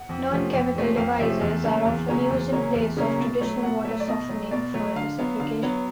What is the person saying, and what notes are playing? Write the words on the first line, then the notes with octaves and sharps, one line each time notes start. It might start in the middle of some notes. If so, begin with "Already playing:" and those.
Non-chemical devices are often used in place of traditional water softening for this application.
Already playing: F#5
F2
C3 F3 A3 C#4
F2
C3 F3 A3 C#4
F2 F5
C3 F3 A3 C#4 E5
E2
C#3 F#3 A#3 C#4
E2
C#3 F#3 A#3 C#4
E2
C#3 F#3 A#3 C#4
E2
C#3 F#3 A#3 C#4
B2
F#3 A3
B2 F#5
F#3 A3 E5
D5
B2 D#5
F#3 A3
B2 D5
F#3 A3
D3 F5
F#3 B3
D3 F5
F#3 B3